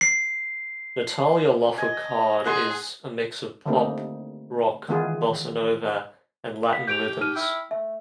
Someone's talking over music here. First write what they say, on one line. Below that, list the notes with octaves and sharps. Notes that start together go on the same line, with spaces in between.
"Natalia Lafourcade" is a mix of pop, rock, bossa-nova and Latin rhythms.
C7
D#5 G#5
G#4 F#5 G#5 C6
D3 G3 A3 A#3 C4 D#4
D#3 E3 G#3 B3 F4 G#4
B3 F5 B6
G4 G6 D7 F7
D#4 F6 D#7
E4 G5 F6
A3 E5